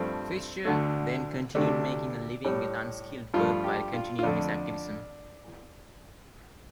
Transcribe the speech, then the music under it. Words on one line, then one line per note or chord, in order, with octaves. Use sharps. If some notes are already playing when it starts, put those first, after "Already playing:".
Fischer then continued making a living with unskilled work while continuing his activism.
Already playing: G2 F3 A3 C4
D2 D3 A3
D2 C3 A3 D4
A2 G3
G2 F3 A3 F4
G4
F4
F4
F2 D3 A3 D4